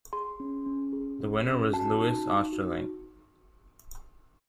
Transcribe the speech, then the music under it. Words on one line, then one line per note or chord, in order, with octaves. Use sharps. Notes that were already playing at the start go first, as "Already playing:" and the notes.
The winner was Lois Ostrolenk.
G#4 C6
C#4
C#4
G#4
G#4
C#4
F#4 A5
D#4
D#4
F#4